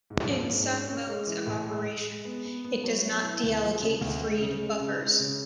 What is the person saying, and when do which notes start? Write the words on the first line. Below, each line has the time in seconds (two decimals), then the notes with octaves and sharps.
In some modes of operation, it does not deallocate freed buffers.
0.10 G#2
0.29 F3
0.49 G#2
0.68 C#4
0.88 C#4
1.07 G#3
1.27 E3
1.46 A2
1.67 G#3
1.86 G#3
2.06 G#3
2.25 B3
2.45 B3
2.65 B3
2.84 F#3
3.04 B3
3.23 E4
3.43 D2
3.63 F3
3.82 C#3
4.01 D2
4.21 G#3
4.41 C#3
4.61 G#3
4.80 C#3
5.00 G#3
5.19 C#3